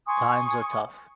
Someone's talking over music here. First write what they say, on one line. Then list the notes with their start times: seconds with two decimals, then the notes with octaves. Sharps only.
Times are tough.
0.07 G#5 C6 C#6 D#6